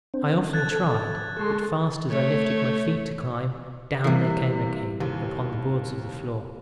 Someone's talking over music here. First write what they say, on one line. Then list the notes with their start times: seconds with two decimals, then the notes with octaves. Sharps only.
I often tried, but fast as I lifted my feet to climb, down they came again upon the boards of the floor.
0.14 C4 D4 C5
0.53 A4 A5 F#6 G#6 A6
1.37 G#3 A4 A5 C6 C#6
2.10 A3 C#5
4.04 C3 E3 G3 A#3 C7
5.00 D#2 C3